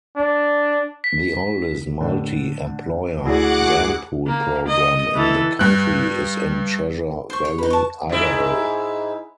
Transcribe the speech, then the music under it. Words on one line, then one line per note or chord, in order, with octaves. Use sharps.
The oldest multi-employer vanpool program in the country is in Treasure Valley, Idaho.
D4
B6
A2 D3
D2 E4 F#4 G#4 D5 F#5 D6 F#6
A#3
D#5
E3 A4
G2 F#6
C5 C#6
G4 C#5
D#4 B4 B5
A5 C#6
G#2 E4